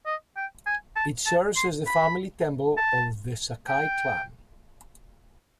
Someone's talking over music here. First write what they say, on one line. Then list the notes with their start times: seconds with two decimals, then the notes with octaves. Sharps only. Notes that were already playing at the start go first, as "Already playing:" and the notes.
It served as the family temple of the Sakai clan.
0.06 D#5
0.36 G5
0.66 G#5
0.96 A5
1.26 A5
1.56 C6
1.87 B5
2.77 A5
3.68 G5